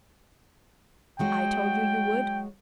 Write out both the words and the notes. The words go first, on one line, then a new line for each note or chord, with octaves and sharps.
"I told you you would."
F#3 G#3 F#4 G5